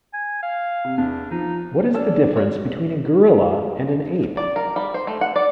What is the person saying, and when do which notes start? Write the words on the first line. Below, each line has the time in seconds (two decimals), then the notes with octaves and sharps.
What is the difference between a gorilla and an ape?
0.14 G#5
0.43 F5
0.84 C3
0.98 E2 D4
1.31 F3 D#4
1.94 C#4 A4 D5 A5
2.36 F#4 C#5
4.37 D5
4.56 A#4
4.76 G3
4.94 C5
5.07 A3
5.21 F#5
5.36 D5